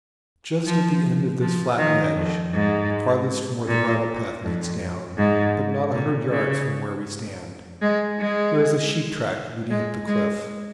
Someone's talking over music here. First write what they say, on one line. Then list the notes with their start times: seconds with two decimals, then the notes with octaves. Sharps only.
Just at the end of this flat ledge, farthest from where the bridle-path leads down, but not a hundred yards from where we stand, there is a sheep-track leading up the cliff.
0.66 F3
1.41 F3
1.79 D#3
2.16 F2
2.54 G#2
3.68 A#2
4.43 F2
5.18 G#2
5.93 A#2
6.31 C#3
7.82 G#3
8.19 G#3
9.70 G#3
10.08 G#3